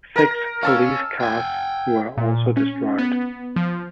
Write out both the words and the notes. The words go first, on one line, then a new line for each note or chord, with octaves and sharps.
Six police cars were also destroyed.
A#4 A#5
C#4 F5 A5 E6
G5 G#5
A#2
C#4
B3
F3